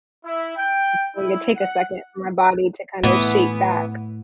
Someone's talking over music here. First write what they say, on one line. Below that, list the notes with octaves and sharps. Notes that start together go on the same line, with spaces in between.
it's going to take a second for my body to kind of shape back.
E4
G5
E4
F#5
A2 E3 B3